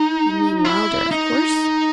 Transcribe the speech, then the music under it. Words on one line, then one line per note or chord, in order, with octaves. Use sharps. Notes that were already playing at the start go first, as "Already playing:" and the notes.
You mean Wylder, of course?'
Already playing: D#4
E4
D#4